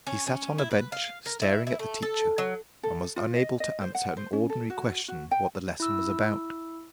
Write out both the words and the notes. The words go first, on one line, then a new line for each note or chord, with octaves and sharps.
He sat on a bench staring at the teacher, and was unable to answer an ordinary question what the lesson was about.
C#4
C#4
E4
B4
F5
A#4
E4
E4
A3
A4
F#3
A4
F4
D#5
D#5
C5
F#5
C5
C#4
A4
F#4
F#4
G5
E4 E6